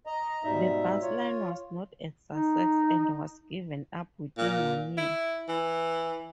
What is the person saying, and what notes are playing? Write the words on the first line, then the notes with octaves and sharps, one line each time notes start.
The bus line was not a success and was given up within one year.
D#5 A#5
G#2 B2 G3 D#4 E5
F4 C#5
D#4
A#2
E4
E3